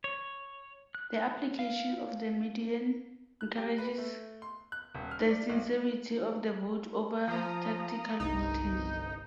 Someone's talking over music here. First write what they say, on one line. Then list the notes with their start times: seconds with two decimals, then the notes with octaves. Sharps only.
The application of the median encourages the sincerity of the vote over tactical voting.
0.04 C#5
0.95 F#6
1.59 F5
3.41 F#6
3.57 G4
3.78 B4
3.98 A3
4.42 C6
4.72 F#6
4.94 D#1
5.11 F6
5.30 D5
5.50 B1
7.28 F3 F5 A#5 D#6
8.20 G1 C2 D#4